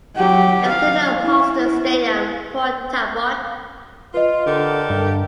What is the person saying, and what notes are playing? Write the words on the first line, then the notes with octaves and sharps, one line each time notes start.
They play at the Marston Stadium, Port Talbot.
F#3 G4
F5
E4
F4 B4 D#5
D3 G4 A4 A#4
G2 D3